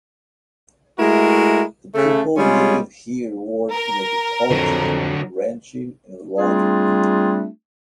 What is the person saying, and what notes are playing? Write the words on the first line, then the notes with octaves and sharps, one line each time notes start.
The people living here worked in agriculture, ranching and logging.
G#3 A3 E4 F#4 A#4
C#3 A3
G3 G#3 C#4 F4 G#4
A#4
F2 D3 F#3
G3 A3 C4 D4 F4 G#4